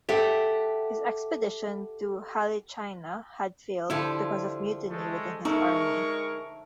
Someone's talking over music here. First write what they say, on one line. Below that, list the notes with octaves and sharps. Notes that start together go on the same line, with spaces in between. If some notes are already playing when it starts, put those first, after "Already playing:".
His expedition to Halychyna had failed because of mutiny within his army.
G4 A4 E5 F#5
D3 F3 E4 G4
G#3 A3
G#3 A3 D#4 A#4 C#6